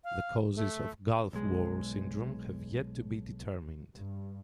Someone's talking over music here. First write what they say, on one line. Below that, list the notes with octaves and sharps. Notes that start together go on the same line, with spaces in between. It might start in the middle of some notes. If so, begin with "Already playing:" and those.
The causes of Gulf War Syndrome have yet to be been determined.
F5
A3
B1 G#3
G2